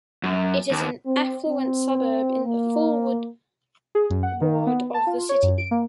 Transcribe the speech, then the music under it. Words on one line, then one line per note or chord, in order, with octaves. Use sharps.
It is an affluent suburb in the Fulwood ward of the city.
F#2
D#2
C4
C4
A#3
G#4
F#2
F#5
D#3
B3
A5
F4
C#5
F#2
D7
A#3